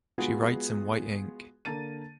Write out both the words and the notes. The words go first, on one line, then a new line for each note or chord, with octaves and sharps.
She writes in white ink.
G#3 B3 F4 F#4 G#4
D3 A#3 A5 A6 D#7